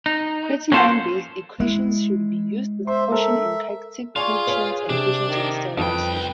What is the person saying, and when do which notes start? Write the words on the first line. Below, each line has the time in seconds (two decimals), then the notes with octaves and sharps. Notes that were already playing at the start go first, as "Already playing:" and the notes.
Creatinine-based equations should be used with caution in cachectic patients and patients with cirrhosis.
0.06 D#4
0.72 F#3 A#3 C#4 F4 A4 C5
1.60 G#3 E4
2.87 C5 E5 C6
3.12 A4 A#4 E5
4.16 F4 G#4 D5 G#5 C#6
4.47 B4 C#5 G#5
4.89 C3 D4
5.28 D#3
5.77 C2 F2 B4 G5